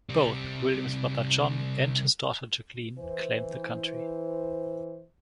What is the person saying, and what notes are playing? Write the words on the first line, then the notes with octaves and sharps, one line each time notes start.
Both William's brother John and his daughter Jacqueline claimed the county.
C3 G3
E3 C5